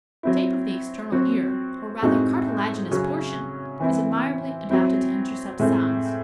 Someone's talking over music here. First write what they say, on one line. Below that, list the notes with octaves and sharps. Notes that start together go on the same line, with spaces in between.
The shape of the external ear, or rather cartilaginous portion, is admirably adapted to intercept sounds.
F#3 C4 E4
F#3 C4 F#4
A2 G#3 C4 D#4 F#4
C#3 F#3 C#4 F#4
E3 C4 E4
F#3 C4 E4
A2 G#3 C4 E4